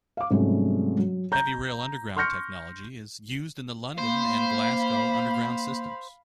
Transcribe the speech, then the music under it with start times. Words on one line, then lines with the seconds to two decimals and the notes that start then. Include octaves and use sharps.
Heavy rail underground technology is used in the London and Glasgow Underground systems.
0.17 F5 D6
0.31 G#2 C3 F#3 G3 A3 C#4
0.98 F#3
1.32 A#5 G6
2.16 C6 C#6 F6 G6 A#6 C#7
3.98 A#3 C5 F5 B5